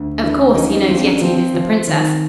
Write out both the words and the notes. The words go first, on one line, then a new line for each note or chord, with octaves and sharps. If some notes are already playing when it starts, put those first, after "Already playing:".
Of course, he knows Yetive is the princess.
Already playing: D2
E3 D4 E4
F3 C#4 D#4
C#4 D#4
F3 C4 D4
D4
C#4
F3 C4
C4
F3
D#3